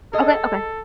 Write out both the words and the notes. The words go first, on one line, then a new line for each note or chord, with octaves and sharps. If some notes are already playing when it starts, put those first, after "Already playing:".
Okay, okay.
G#4 A4 D#5